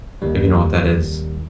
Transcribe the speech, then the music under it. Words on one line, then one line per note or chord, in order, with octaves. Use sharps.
if you know what that is.
D#2 D#3 G3